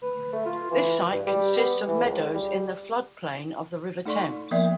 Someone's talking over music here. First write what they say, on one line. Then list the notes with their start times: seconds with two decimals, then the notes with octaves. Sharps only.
This site consists of meadows in the floodplain of the River Thames.
0.02 B4
0.33 A3
0.46 F4
0.71 E3
1.12 G2
1.26 G3
1.57 B3
1.87 E3
2.04 C#2
2.34 G3
4.05 A3 D#4 A4 D5 C6 C#6
4.51 F3 A#3 B3 A#4 D5 E5